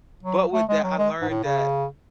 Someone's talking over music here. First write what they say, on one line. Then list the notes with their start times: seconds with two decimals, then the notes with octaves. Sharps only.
But with that, I learned that
0.23 F#3
0.53 A3
0.68 G#3
0.83 F#3
0.98 G#3
1.21 G#2
1.29 A2
1.44 C#3